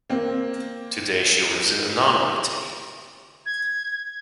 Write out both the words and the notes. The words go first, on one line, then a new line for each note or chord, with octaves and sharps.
Today she lives in anonymity.
A#3 C4
G#6